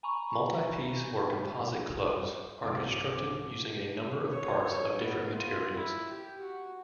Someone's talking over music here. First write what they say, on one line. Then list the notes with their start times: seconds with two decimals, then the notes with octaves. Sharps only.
Multi-piece or composite clubs are constructed using a number of parts of different materials.
0.03 G#5 A#5 B5 C#6
2.63 C2 G#2 E3 F#4 F5 D6
4.30 C#5
4.63 C#5
4.99 B3
5.33 F4
5.74 E4
6.09 G4
6.41 F#4